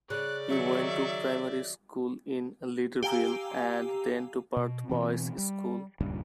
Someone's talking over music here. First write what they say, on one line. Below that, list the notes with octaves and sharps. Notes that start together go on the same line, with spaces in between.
He went to primary school in Leederville, and then to Perth Boys School.
C#3 D5 F#6
D#3 F#3 E5
G4 F5 G#5 A#5 E6
B2
B2 D3 E3 C4
G3
D#1 C#2 G2 D#3